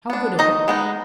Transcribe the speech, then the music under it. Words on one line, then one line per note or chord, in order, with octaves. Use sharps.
How good of you!
B3 D4
D#3 D#4 D#5
G#3 B3 D#4